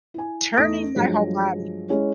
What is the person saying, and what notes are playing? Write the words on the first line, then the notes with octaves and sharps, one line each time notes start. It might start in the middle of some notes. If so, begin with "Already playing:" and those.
turning my whole body?
E4 G#5
E2 A3 D#4 D#6 A#6 D7
G2 F3 F#3 G#3
G#3 C#4 E4 C#5